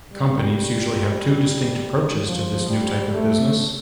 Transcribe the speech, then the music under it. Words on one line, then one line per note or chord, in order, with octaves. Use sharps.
Companies usually have two distinct approaches to this new type of business.
G3
F3
G3
A3